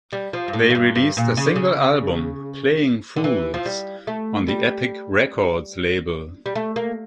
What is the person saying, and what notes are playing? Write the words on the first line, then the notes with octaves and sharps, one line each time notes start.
They released a single album, "Playing' Foolz" on the Epic Records label.
G3
F3
G2
A2
F2
G2
G2
A#2
C#3
D3
C#3
D3
E3
F3
G3
A3
G3
G3
A3
A#3